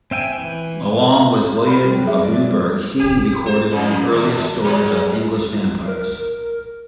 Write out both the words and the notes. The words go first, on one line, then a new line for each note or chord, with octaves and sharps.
Along with William of Newburgh, he recorded the earliest stories of English vampires.
C4 E5 G5 G#5 E6
E3
A4 A#4 G5 B5
G3
F#3
G#4 A#4 E5
F#3 A3 D5
G4
C5
F2 A#2
D#2
G#2 F#3
A#4